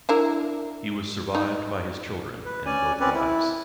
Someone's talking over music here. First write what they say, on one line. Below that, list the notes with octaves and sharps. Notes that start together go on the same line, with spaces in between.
He was survived by his children and both wives.
D4 E4 A#4
D#4
B4
C#4 D5 G#5
C4 C#4 B4 D5
E4